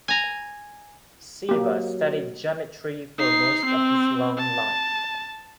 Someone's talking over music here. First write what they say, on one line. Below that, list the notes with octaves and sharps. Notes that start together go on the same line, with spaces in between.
Ceva studied geometry for most of his long life.
G#5 A#5
F#3 A#3 G4
D#4 C7
C4
A5